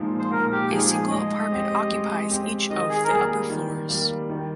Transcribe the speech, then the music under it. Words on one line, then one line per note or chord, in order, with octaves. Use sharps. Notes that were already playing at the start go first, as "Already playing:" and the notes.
A single apartment occupies each of the upper floors.
Already playing: A#2 F3 G#3 D#4
C5
A#2 A#4
G4
F3 G#3 D#4 G#4
G#4
G#3 D#5
C4 G4 C5
G#3
C4 G4 C5
D#3 D#5
G#4
A#4
G3 A#3 G#4
D#3
G3 A#3
D#3